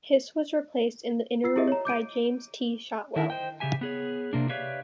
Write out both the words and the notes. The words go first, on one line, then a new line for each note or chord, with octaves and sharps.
Hiss was replaced in the interim by James T. Shotwell.
F4 E6 C7
E4 G4 G#4 A#4 D#5 E5
C#5 A#5
D6 G6 D7 D#7
D3 D#3 E4 A4 A#4 E5
C5 D#5 G5
C#3 C4 G4 E5 G#5
B3 G#4 C#5
C3 A#3 D4
G4 B4 C#5 D5 E5 F5